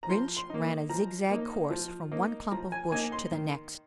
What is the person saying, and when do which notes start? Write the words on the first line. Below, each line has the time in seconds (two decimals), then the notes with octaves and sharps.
Rynch ran a zigzag course from one clump of bush to the next.
0.03 A#5
0.10 F3 C6
0.37 C6
0.50 A#3 D#4
0.89 F3 A#5
1.30 A#3 D#4
1.71 F3
2.12 A#3 D#4
2.52 F3 A#5
2.72 G#5
2.91 A#3 D#4 G#5
3.12 C6
3.32 D#3